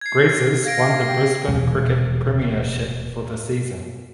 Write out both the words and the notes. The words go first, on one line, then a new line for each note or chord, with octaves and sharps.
Graziers won the Brisbane cricket premiership for the season.
G#6 C7
F5 G#6 A#6 D7
G4
D#1 E2 B2 G#3